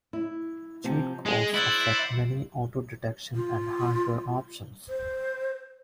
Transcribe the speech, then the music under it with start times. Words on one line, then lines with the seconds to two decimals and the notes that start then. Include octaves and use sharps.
Cheat codes affect many auto-detection and hardware options.
0.13 E4
0.84 C3 F3 C4
1.26 G#3 G#4
1.54 E4 C5 D5 F#5
3.35 F4
4.89 C5